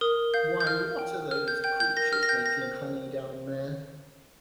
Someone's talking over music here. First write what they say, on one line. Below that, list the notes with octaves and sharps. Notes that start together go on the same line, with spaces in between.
Why, what are those creatures, making honey down there?
A#4 D#6
F5 G6
G6
A#4 F6
G5
A#4 F6
G6
G5 G6
G6
A#4 A#6
F6
A#6
G5 G6
A#6
C5